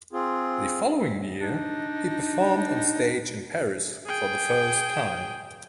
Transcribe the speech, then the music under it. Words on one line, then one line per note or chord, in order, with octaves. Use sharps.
The following year, he performed on stage in Paris for the first time.
C4 F4 G#4
D4 D#4
G#4 G5